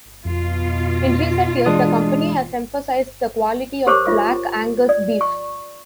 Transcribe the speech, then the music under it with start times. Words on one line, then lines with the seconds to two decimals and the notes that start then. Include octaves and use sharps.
In recent years, the company has emphasized the quality of Black Angus Beef.
0.25 F2 B2 F4
1.66 E3 G#3 D4 D#6
3.87 G4 A#4 C5 C#5 C#6 D6
4.06 F4 E5 C#6
4.89 D5
5.21 C#6